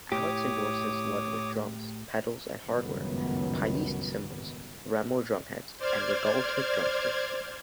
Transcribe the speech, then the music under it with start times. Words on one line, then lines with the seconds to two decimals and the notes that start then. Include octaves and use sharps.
Alex endorses Ludwig drums, pedals and hardware, Paiste cymbals, Remo drumheads and Regaltip drumsticks.
0.12 A2 G4 C#5 D6 D#6
2.66 G1 C#2 F#2 A2 D#3 B3
5.77 C5 D5 F6 G#6